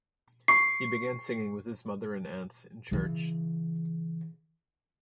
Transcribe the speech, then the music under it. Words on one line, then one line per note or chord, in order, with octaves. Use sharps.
He began singing with his mother and aunts in church.
C#6 C7
C#3 E3